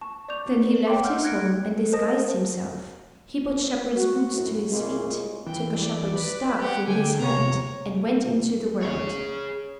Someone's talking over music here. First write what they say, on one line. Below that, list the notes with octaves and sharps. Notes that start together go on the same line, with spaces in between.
Then he left his home, and disguised himself; he put shepherd's boots to his feet, took a shepherd's staff in his hand, and went into the world.
A5 C#6
D5 C#6 D6 G6 F7
C#5 G5 A#5 C6 D6
F#5 C6 E6 F6 G6
F6 F#6 G#6 A#6 C#7 D7
A#4 C5 D#5 A5 D#6 A#6
F#4
F#2 A2
C2 A#2 C#3 G#3
E3 G5
D5
B4
G4 F#5
D3 G5 G#5
C3 C#5 A#5
G#4 C#5